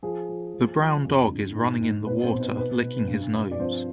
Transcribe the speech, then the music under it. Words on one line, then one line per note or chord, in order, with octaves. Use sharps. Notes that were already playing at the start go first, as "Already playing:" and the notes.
The brown dog is running in the water licking his nose.
F3 G#4
F3
F3
F3
F2
D3
G#2
G#2
B2 B4
C4 C5
B2
B4
B2 B4
B2
G2
G2
D5
F3 C4 C5